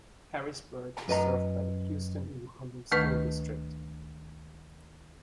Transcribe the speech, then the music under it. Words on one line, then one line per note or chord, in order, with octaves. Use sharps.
Harrisburg is served by the Houston Independent School District.
F#2 B4 D#5 A#5
D2 D#3 A3 B4 C#6